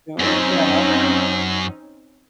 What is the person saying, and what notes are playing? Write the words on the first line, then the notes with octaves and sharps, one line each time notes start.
soon, yeah.
F#2 C4 C#4 D#4